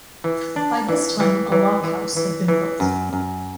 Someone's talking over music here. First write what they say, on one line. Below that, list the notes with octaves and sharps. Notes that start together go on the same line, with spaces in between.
By this time a lock house had been built.
E3
D4
E3
E3
E3
E3
E3
E3
F#2
F#2